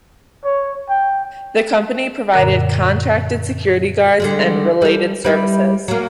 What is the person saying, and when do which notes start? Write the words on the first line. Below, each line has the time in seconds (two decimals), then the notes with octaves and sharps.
The company provided contracted security guards and related services.
0.45 C#5
0.89 G5
2.34 F#2 A#2 D3 A#4
4.20 D3 G3 G#3
4.82 G3 A4
5.25 G3 E4 B4
5.88 F#3 A#3